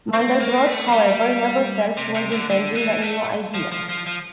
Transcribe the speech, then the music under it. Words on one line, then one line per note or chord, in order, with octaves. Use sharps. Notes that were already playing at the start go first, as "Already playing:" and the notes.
Mandelbrot, however, never felt he was inventing a new idea.
C4
A#3
A3
F3
G3
C3
C3
D3
D3
E3
A3
F3
F3
F3
F3